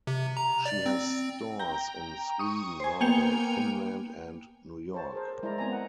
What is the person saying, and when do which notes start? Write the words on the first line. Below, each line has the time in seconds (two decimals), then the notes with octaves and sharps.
She has stores in Sweden, Norway, Finland and New York.
0.07 C3
0.37 A#5
0.66 D5
0.86 C4
1.59 G5 A#5
2.39 C#6 D#6
2.80 C5 G#5
3.01 A#3 B3 G5 G#5 C#7 F7
4.94 C5 C#5 A5
5.13 G#4 A#4 C5
5.43 G#3 E4 A#4 C5 D5 A#5
5.58 B3 C4 G#5 A#5
5.71 F#5